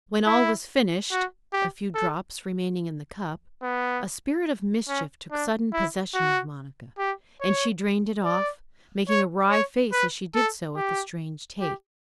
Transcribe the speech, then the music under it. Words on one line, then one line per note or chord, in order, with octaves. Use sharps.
When all was finished, a few drops remaining in the cup, a spirit of mischief took sudden possession of Monica, and she drained it off, making a wry face as she did so at the strange taste.
E4
F#4
G4
A4
B3
C#4
D4
E4
F#4
G4
C#5
D5
C#5
C#5
B4
A4
G4
G4